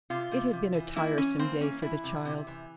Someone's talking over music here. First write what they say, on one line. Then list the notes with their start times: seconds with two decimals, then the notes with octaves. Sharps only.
It had been a tiresome day for the child.
0.10 C3 F4
0.31 C3
0.53 C3
0.74 E3
0.96 A#3 E4
1.17 E3 C#4
1.39 A#3 C4
1.61 E3 C#4
1.82 E3 E4
2.04 C3
2.25 C3
2.47 E3